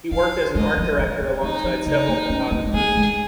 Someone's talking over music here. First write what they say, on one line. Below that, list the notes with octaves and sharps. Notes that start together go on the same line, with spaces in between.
He worked as an art director alongside several photographers.
F3 F5
G#3 D#5
F3
F3
F#3
F#3 D#4
F3
C#3 D#4
A#3
C#4
C4
G#3
A#3 G#4
G#3